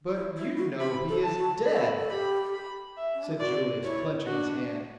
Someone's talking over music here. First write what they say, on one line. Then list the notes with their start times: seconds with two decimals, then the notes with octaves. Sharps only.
"But you know he is dead," said Julius, clenching his hand.
0.14 E4
0.37 E4
0.57 F#4
0.80 G4 B5
1.09 A4
1.23 A5
1.37 F#4
1.66 A4 B5
1.99 A4
2.10 G4 B5
2.54 B5
2.97 E5
3.15 C#4
3.23 D4
3.32 E4
3.40 F#4 D5
3.84 E4 C#5
4.26 D4 F#4